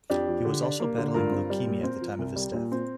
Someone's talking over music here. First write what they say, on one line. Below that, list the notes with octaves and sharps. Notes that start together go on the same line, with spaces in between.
He was also battling leukemia at the time of his death.
F2 D4 G4
F3
D3
D4
A#3
D3
G2 F4 A#4
C4
G3
A#2
C4
F3
C2
G3
A#2
C4